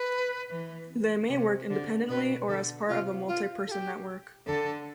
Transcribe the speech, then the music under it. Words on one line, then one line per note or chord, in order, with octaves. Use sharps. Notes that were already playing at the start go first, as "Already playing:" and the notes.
They may work independently, or as part of a multi-person network.
Already playing: B4
E3
C3
D3
B2 B4
D3 A4
C3 F4
F4
A4
G4
D3 A4